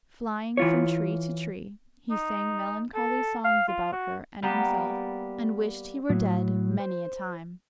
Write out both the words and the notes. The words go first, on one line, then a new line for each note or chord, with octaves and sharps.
Flying from tree to tree, he sang melancholy songs about her and himself, and wished he were dead many a time.
E3 F4 C#5
D#4
A4
F5
F4
F#4
G3 A#3 B3 G4
A2 F#3
C5